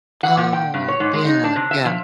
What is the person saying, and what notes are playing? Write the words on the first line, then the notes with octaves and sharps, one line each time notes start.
Oh, yeah, yeah.
F#5
A#2
G5
G2
C#5
G#2
G#3
D#4
D4
C3
E5
F3